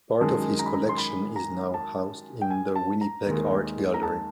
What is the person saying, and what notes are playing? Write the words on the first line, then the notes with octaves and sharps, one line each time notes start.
Part of his collection is now housed in the Winnipeg Art Gallery.
F#2 D#3 G#3 A5
A#5
B5
A#5
C6
B5
A#5
A5
G5
G#5
A5
A#5
D#2 D#3 G#3
A#5
A5